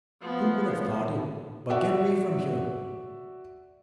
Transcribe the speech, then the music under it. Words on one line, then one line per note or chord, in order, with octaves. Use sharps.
Who would have thought it? But get away from here!
F3 B3
F#4 D5 E5 F#5